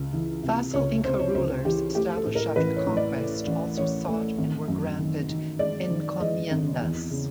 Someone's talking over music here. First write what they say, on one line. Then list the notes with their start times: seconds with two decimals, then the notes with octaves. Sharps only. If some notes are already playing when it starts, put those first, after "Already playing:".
Vassal Inca rulers established after the conquest also sought and were granted "encomiendas".
Already playing: C#2
0.13 E3
0.43 C3
0.73 C#2 C#5
1.04 C3 C5
1.19 C#5
1.35 C#2 C5
1.65 E3 G4
1.95 A3 G4
2.16 A4
2.26 A2
2.35 A#4
2.56 A1 B4
2.76 C#5
2.86 A2
2.97 D5
3.17 A3
3.47 A1
3.77 A1 C#5
4.08 A3
4.38 G#1
4.68 F#2
4.99 D#3
5.29 D#3
5.59 G#3 D5
5.90 D#3
6.20 G#3 D#5
6.51 G#1
6.81 E2
7.11 C#3